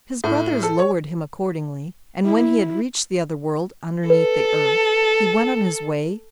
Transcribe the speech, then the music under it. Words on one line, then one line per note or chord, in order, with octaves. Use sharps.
His brothers lowered him accordingly, and when he had reached the other world, underneath the earth, he went on his way.
A2
A4
C#5
E4
A4 B4